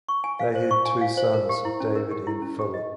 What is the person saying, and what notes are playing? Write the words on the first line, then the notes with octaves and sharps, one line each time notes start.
They had two sons, David and Filip.
C#6
G#5
F5
C5
C#6
G#5
F5
C5
A#4
G4
E4
C#4
A#4
G4
E4
C#4
G4
D#5